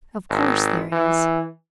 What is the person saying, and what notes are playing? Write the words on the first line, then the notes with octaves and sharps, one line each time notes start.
Of course there is.
G#1
E3